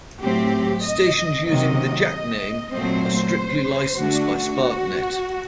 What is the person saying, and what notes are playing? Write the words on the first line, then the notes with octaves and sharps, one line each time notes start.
Stations using the "Jack" name are very strictly licensed by SparkNet.
A2 F#3 A3 C4 G4
D#5
C3 D#3 F#3 A#3 D#5
A#2 F#3 A3 C4 C5
D3 A3 D4 F#4